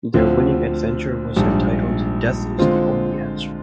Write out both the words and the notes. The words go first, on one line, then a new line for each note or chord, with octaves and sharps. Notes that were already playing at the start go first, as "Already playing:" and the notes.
Their winning adventure was entitled "Death Is the Only Answer".
D2 D3 F3 C4 F4
A#1 G#2 G3 D4
D3 G#3 C4 F4 C5